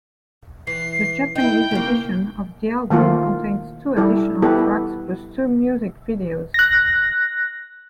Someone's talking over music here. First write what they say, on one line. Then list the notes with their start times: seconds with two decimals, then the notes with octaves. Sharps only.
The Japanese edition of the album contains two additional tracks plus two music videos.
0.67 E3 C7
1.35 D#4 E4 G5
1.71 C#3 A#3
2.90 D#3 A3 A#3 F4
3.97 G3 E4 A4
4.42 B3 E4 G4 A4 B4
6.54 F#6 A#6